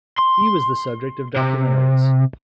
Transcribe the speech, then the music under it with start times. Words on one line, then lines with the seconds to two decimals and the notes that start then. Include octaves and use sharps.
He was the subject of documentaries.
0.18 C6
1.36 C3